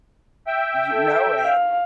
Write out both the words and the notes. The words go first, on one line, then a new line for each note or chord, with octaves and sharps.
You know it.
E5 G5
A4
F5